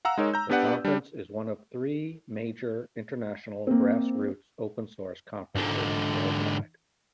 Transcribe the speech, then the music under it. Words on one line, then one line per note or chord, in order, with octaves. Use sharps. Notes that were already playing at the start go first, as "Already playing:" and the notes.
The conference is one of three major, international, grass-roots open-source conferences worldwide.
F5 F#5 A#5 E6
G#3 D#4 A#4 C#5
A#5 G6
B3 D4 G4 B4 D5 F#5
G3 D4
A#3 C4
G#2 D3